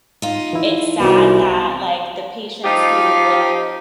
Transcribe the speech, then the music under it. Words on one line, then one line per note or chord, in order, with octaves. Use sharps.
it's sad that, like, the patients who,
D#4 F4
E3 E4
C2 B3 F#4 D#5
F3 C4 D#4 F4 G4